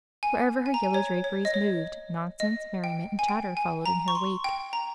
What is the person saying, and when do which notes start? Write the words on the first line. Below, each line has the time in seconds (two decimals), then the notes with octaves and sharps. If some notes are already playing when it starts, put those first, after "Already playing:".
Wherever her yellow draperies moved, nonsense, merriment, and chatter followed in her wake.
0.23 G#5
0.66 G#5
0.74 A#5
0.84 G#5
0.94 C#5
1.24 C#5
1.45 D#5
1.54 C#5
2.40 D#5
2.84 G5
3.19 G#5
3.29 G5
3.57 G#5
3.86 A#5
4.08 C#6
4.15 C6
4.44 G5
4.73 A#5